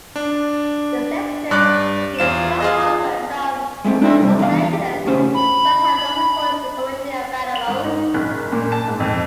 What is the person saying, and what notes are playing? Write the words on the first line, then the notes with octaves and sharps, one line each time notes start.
The Sextet became somewhat well-known around Los Angeles, despite having no recordings commercially available.
D4
G2 D5 D6 F#6
E2 F4 E7
F4 G#4 D#5
G#3 A3 C4
D4 E4 A4 E5
C3 G3
E2 D3 E3 F5
G4
A2 C#3 C#4 C5
B5
F#7
G#1
D#4
F#1
A#2
A5
G#2
F2